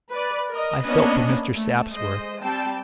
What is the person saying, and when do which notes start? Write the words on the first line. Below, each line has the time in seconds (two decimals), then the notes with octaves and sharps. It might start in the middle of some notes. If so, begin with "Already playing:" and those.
I felt for Mr. Sapsworth.
0.11 B4 D5
0.50 A#4 D#5
0.84 A#3 B3 C#4 D4 B4 D#5
1.53 A3
1.92 G#3 C5 D#5
2.41 G3 C4 G5 A5